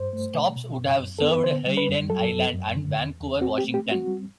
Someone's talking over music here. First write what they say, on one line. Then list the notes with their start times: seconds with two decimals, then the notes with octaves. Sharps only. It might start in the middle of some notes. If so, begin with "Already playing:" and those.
Stops would have served Hayden Island and Vancouver, Washington.
Already playing: G2 C5
0.13 A3
0.34 B2
0.56 B2
0.78 F#2
1.00 F#2
1.19 B3 A4
1.31 B4
1.44 D3 C5
1.66 G3
1.77 B4
1.89 F#2
2.10 F#3 A4
2.31 F#2
2.53 F#2
2.76 D3
2.97 E2
3.20 E2
3.41 C4 F#4
3.58 G4
3.64 A3
3.74 G4
3.86 C4
3.91 F#4
4.07 G3